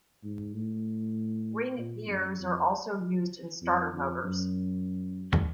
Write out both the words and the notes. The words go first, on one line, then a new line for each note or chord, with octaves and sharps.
Ring gears are also used in starter motors.
G#2
A2
A#2
F#2
F2
F2
F2
F#2